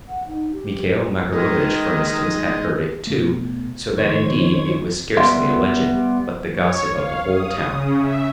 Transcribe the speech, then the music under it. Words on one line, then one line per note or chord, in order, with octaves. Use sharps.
Mihail Makarovitch, for instance, had heard it, too, so that indeed, it was scarcely a legend, but the gossip of the whole town.
F#5
D#4
G4
D#3 G#3 D#4 D#5
B2 A3
F2 D#3 C5 C#5 G#6
G3 B3 E5 C6
C#5
F5
D#6
C#3
E5